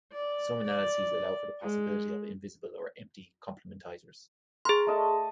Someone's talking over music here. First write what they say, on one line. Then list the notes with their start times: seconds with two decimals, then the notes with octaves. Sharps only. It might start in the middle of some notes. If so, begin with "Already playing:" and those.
Some analyses allow for the possibility of invisible or "empty" complementizers.
0.12 D5
0.64 D5
1.62 G#3
4.65 G#4 A#4 C6
4.87 A3 D#5 A5